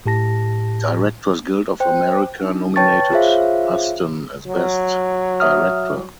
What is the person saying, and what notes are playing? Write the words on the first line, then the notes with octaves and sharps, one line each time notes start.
Directors Guild of America nominated Huston as best director.
A2 G4 A5 A#6
C5 G5
D4 D#4
B4 C#5 G5 A5 C#6 A6
F4 G#4 C5 C#5 E5 F5
F#3
E5 D#6 F6